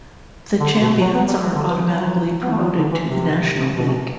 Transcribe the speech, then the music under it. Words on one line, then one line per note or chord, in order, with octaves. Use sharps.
The champions are automatically promoted to the National League.
D3
B2
F#3
B3
G3
F#3
D3
E3
F#3
B3
A3
G3
F#3
D3
E3
C3
B2
C3